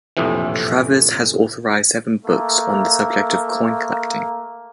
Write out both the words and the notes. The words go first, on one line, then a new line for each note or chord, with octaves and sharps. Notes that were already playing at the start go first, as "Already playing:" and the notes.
Travers has authored seven books on the subject of coin collecting.
A#1 F2 A2 C3 E3
A3 A#3